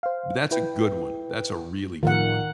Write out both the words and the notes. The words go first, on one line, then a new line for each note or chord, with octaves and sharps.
but that's a good one, that's a really good one.
C5 F5
E4 B4 G5
A2 D#3 F3 F4 A#4 F#5